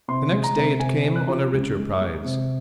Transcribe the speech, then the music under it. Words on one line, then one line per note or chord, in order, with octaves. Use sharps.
The next day it came on a richer prize.
C3 C6
G#3
A#5
C3
C3 G#5
C3
F#6
F3
C#2
G#3
G#3
C3